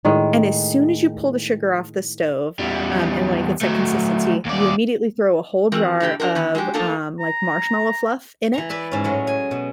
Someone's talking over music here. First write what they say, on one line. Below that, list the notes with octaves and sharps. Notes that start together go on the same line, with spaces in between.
and as soon as you pull the sugar off the stove, um, and when it gets that consistency, you immediately throw a whole jar of, um, like, marshmallow fluff in it,
A2 D#3 G#3
E2 G3
F#3 A3
D#2 D5
E3 C4 F#4 A#4
A2 D3 G4 G5
D4 F4 F#4 A#4
D#3 B3
G#3 F#4 G4
A3 A#3 D#4 F4 A4 A#4
A#5
E3 A#5
B4 D5 E5
G#2 C#4
A2 F#3 G#3
G#5
B2